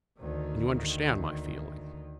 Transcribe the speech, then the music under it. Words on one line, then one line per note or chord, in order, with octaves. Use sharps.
"And you understand my feeling?"
D2 D#3